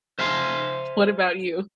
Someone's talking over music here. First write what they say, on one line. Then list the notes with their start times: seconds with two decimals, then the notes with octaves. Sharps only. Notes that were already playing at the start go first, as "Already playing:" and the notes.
What about you?
0.19 C5 E5 F5 G#5 C6